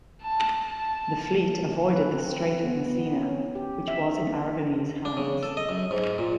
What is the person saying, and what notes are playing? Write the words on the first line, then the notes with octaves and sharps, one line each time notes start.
The fleet avoided the Strait of Messina, which was in Aragonese hands.
A5
A5
A#3
B4
C4
B3
B3
C#4
G4
E5
D4
C#3
A4
D#5
F#2
G#2
A#2